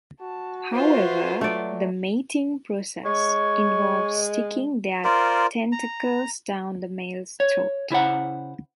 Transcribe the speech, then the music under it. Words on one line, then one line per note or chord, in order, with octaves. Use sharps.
However, the "mating" process involves sticking their tentacles down the male's throat.
F#4 A5
F4 B4 C5 E5
F#3 A3 D5
G#3 C#5
F4 A#4 C5 D5
A#5
C#5
C#3 E4 C5 F#5